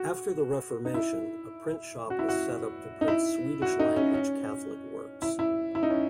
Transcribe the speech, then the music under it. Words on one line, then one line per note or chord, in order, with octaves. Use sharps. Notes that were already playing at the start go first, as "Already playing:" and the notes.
After the Reformation a printshop was set up to print Swedish-language Catholic works.
Already playing: F#4
D#4
E4
F#4
E4
F#4
D#4
E4
F#4
D#4
C#4
C#4
E4
E4
E4
D#4
C#4